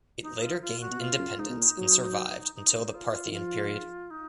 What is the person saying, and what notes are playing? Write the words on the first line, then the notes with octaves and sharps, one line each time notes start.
It later gained independence and survived until the Parthian period.
D#4
F4
F4
F#4
B2
A#2 F4
F#2
G#2 D#4
B2
A#2
F#3
D#4
F4
D#3
F3 F4
D#4